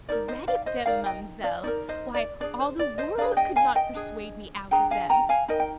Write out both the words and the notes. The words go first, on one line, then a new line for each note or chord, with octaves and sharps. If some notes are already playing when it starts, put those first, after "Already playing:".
'Credit them, ma'amselle! why all the world could not persuade me out of them.
D#4 A#4 D5
C5 D#5
D5 F5
C5 D#5
D#4 A#4 D5 F5
D#5 G5
D5 F5
D#4 A#4 D5
C5 D#5
D5
D4 G#4 D5
C5
D5
C5 D#5
D4 G#4 D5 F5
D#5 G5
F5 G#5
D#5 G5
D4 G#4
D4 G#4 G5 A#5
F5 G#5
G5 A#5
F5 G#5
D#4 A#4 D#5 G5
G5